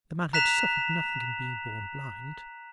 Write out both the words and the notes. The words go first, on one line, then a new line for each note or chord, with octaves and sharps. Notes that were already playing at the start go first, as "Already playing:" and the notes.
The man had suffered nothing in being born blind.
A#5 F#6 B6 E7 F7